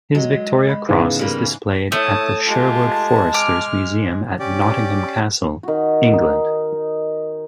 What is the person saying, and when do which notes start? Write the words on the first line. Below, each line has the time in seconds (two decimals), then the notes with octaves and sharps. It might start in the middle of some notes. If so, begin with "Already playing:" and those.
His Victoria Cross is displayed at the Sherwood Foresters Museum at Nottingham Castle, England.
0.15 F#3 G#3
0.69 B5
0.89 G#2 C#3 E3 B3
1.19 G3 A#3
1.92 A3 E4 C#5 A5 D#6
2.46 G#3 F4 G4 A5
3.34 D6 F6
4.39 C#4 G4 D5
5.63 D#3 F#4
6.13 D#4